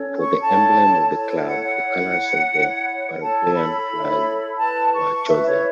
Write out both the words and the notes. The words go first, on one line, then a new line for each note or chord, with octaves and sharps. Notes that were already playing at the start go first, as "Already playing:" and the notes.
For the emblem of the club, the colors of the Paraguayan flag were chosen.
Already playing: C#4 A4 C#5
C#6
E4 A4 C#5 A5
E4 A4 C#5
F#5
F#5
E4 C#5
E4 C#5
E4 A4 C#5 A5
B5
E4 A4 C#5
E4 B4 A5
C#6
E4 B4 E5
C#5